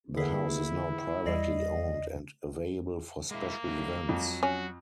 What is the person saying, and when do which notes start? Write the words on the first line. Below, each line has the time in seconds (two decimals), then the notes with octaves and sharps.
The house is now privately owned and available for special events.
0.17 D3 A#3 E4 G#4 B4 B6
1.26 E2 G3 D5 D#5 A#6 C7
3.31 G#3 A#3 E4
3.64 D3 F#3 A3
4.09 F2 F#3
4.43 C#4 F#4